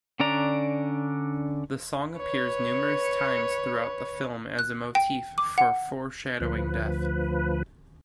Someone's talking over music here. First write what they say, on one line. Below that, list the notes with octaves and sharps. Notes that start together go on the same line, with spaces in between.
The song appears numerous times throughout the film as a motif for foreshadowing death.
D3 C#4 D4 D5 A#5
B4 C#5
F#6
G5
D6
F#5
D2 F3 B4